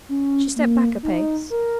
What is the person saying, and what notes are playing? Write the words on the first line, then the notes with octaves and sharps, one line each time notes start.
She stepped back a pace.
C#4
A#3
D#4
A#4